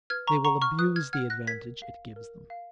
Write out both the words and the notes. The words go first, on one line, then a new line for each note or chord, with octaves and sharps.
They will abuse the advantage it gives them.
B4 F6 G#6
A#5 C#6
F#5 A#5 C#6
C#6 F6
B4 D#6 F#6
F6 G#6
F#5 F6 G#6
F#6 A#6
A#4 G#6 B6
F5
A#4
F5